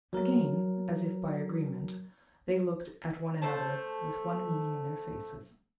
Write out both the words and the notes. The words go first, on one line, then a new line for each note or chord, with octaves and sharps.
Again, as if by agreement, they looked at one another with one meaning in their faces.
F#3 A#4
A3 C5 A5